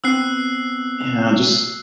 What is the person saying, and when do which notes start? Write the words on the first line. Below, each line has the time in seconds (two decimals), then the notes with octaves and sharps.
you know, just
0.04 B3 C4 E6 F#6 C7